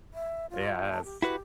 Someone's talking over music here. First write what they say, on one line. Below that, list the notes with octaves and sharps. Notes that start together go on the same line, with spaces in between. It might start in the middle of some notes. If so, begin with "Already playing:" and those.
Yeah, it's
E5
F4
A5
G4
E4 F#4 G4 B4